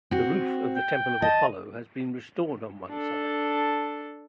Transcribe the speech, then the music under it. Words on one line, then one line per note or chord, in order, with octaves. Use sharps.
The roof of the temple of Apollo has been restored on one side.
C4 F#4
G5
D#5 A5
D4 A4